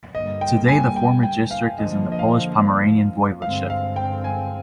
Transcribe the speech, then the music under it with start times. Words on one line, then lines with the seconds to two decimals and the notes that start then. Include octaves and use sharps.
Today the former district is in the Polish Pomeranian Voivodeship.
0.14 G2 D3 G3 A#3 D#5
0.41 G5
0.68 G#5
0.96 G5
1.23 G5
1.51 F5
1.78 D3 F3 A#3 D#5
2.12 D#5
2.19 F5
3.42 G2 D3 G#3 C4 F5
3.70 F5
3.96 G5
4.24 G#5